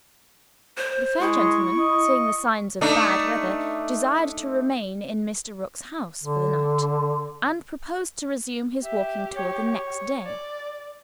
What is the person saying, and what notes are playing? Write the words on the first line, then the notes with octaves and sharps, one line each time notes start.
The fair gentleman, seeing the signs of bad weather, desired to remain in Mr. Rook's house for the night, and proposed to resume his walking tour the next day.
C5
G#3 E4 C#6
D#5
A3 D4 D#4
D3
G4 E5
C#5
D5